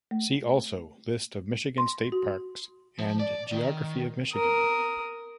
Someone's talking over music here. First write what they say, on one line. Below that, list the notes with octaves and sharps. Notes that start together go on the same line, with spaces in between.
"See also" List of Michigan state parks and geography of Michigan.
A3
C6
F#4
F3
D5
D#3
A#4 D#6